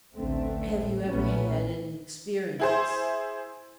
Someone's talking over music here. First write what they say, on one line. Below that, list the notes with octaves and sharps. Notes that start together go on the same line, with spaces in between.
"Have you ever had any experience?"
A1 D2 D3 A3 C4
A2
B1 A#2 A3 B3 C#4
E4 G#4 C5